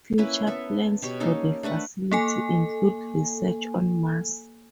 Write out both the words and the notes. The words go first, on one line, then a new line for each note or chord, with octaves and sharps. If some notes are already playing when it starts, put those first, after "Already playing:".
Future plans for the facility include research on Mars.
A#3 C#4 E4 B4
B3 A4 E5
B2 G4 C#5
A#3 C#4 D#4 A4
A3 D4 B4 F#5
A#3 A4 G#5